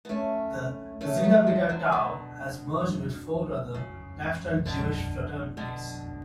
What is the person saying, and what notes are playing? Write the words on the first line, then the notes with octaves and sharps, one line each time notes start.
The Zeta Beta Tau has merged with four other national Jewish fraternities.
B3
A3 C#4
A3 C#4
B3
F#3 A3
F3 G#3
D3 F#3
B2 D3
C#3
B2 D3
B2 D3